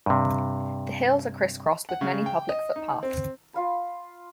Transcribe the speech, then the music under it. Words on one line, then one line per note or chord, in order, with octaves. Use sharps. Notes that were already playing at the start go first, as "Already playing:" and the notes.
The hills are criss-crossed with many public footpaths.
G2 C3
F#5
C#3
G5
D#5
D#4
C4
F4 F5 B5